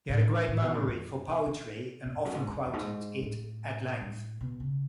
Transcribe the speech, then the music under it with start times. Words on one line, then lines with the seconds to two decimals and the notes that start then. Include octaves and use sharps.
He had a great memory for poetry and often quoted it at length.
0.09 A2
0.48 A2
0.62 B2
0.74 A2
0.88 F#2
1.27 B2
1.46 D#3
2.05 B2
2.15 E2
2.25 F#2
2.35 G#2
2.48 E2
2.54 F#2
2.65 E2
2.73 G#2
3.22 A2
4.02 A2
4.41 B2
4.60 C#3